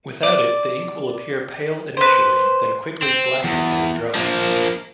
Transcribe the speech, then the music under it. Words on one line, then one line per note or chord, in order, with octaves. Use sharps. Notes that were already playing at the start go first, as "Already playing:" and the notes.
Without it, the ink will appear pale initially then quickly blacken as it dries.
D5
B4 C5
C4
E2
F3 A#3